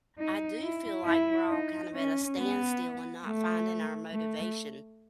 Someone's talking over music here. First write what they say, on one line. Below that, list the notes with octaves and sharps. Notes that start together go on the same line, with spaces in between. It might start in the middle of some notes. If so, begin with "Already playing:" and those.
I do feel like we're all kind of at a standstill, and not finding our motivation,
D#4
E4
E4
D#4
C#4
B3
A3
A3